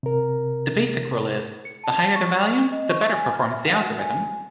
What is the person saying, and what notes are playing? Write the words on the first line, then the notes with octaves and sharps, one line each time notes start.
The basic rule is: the higher the value, the better performs the algorithm.
C3 A#4
C#7
A5
C#6
D#5
C#6
G#5
F6
E5
F#5
F#4
G#5